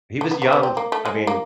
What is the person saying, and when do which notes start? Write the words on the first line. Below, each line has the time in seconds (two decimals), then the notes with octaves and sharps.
He was young, I mea
0.21 A3
0.31 B3
0.42 B3 C#4
0.53 B3 C#4
0.63 C4
0.77 A#3
0.92 A3
1.05 G#3
1.27 A#3